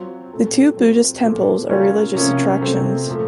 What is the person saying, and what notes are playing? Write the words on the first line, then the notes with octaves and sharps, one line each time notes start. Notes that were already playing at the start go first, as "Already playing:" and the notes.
The two Buddhist temples are religious attractions.
Already playing: F#3 C4 F4
A#2 A3 C4
F#3 C4 F4
A#2 F3 A3
C#3 F#3 A#3 C#4 F4
C3 F3 A#3 C#4
C3 F#3 A3 C4
A#2 F3 A3